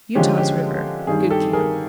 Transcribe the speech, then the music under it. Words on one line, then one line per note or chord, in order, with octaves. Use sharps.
Utah's River.--Good camp.
D3 F3 G#3 C#4 G4
G4
G2 D#3 G3 G#4
G4 A4
G#4 A#4